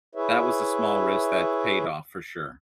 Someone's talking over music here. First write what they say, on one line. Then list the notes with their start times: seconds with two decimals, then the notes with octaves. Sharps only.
that was a small risk that paid off for sure.
0.15 E4 G#4 B4 C#5 E5